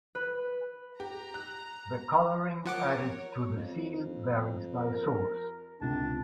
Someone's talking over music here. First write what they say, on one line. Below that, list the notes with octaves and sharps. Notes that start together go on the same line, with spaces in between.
The coloring added to the seal varies by source.
B4
G4 A#5
F#6
F3 A#4 C#5 F#5 D6
F2
A#4
C#2 C3 D4 A5